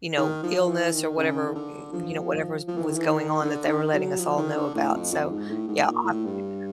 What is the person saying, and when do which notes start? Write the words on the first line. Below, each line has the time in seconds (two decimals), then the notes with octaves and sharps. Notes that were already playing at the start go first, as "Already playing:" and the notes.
you know, illness or whatever, m you know, whatever's was going on that they were letting us all know about. So, yeah, I'll have to do that.
0.18 D#3
0.43 F3
0.68 E3
0.93 D#3
1.18 C#3
1.47 D#3
1.55 D3
1.93 F3
2.68 F3
2.77 E3
2.86 D#3
2.96 E3
3.05 D#3
3.43 D3
3.68 D#3
3.93 F#3
4.19 F3
4.38 D#3
4.55 D3
4.75 A2
4.94 F2
5.13 F2
5.31 G#2
5.49 A2
5.68 G#2
5.88 A#2
6.05 A2
6.25 G2